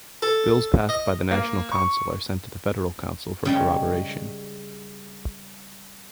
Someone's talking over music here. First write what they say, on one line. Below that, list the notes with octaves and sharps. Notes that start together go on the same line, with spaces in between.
Bills passed by the National Council are sent to the Federal Council for corroboration.
A4
D#5
A#3
C#6
C#3 G3 G#3